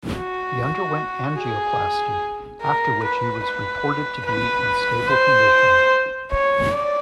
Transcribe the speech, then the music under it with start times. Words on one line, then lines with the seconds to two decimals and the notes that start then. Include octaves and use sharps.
He underwent angioplasty after which he was reported to be in stable condition.
0.16 F#4
1.39 G#4
2.62 A#4
3.04 B4
3.44 B4
4.26 B4
5.08 C5
6.31 C#5
6.71 D5